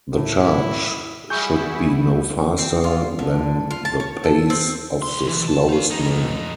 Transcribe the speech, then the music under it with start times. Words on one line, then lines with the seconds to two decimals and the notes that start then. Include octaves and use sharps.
The charge should be no faster than the pace of the slowest man.
0.15 A2 E4
1.30 G3 E4 F#4 G#4 C#6 G6
2.58 C4
2.84 F4
3.19 D3
3.71 F4
3.85 A5
4.00 C#5
4.24 A4
4.50 C4
5.02 B1 C6
5.27 B1 E3
5.48 A5
5.69 D#4 F5
5.90 F2 D#4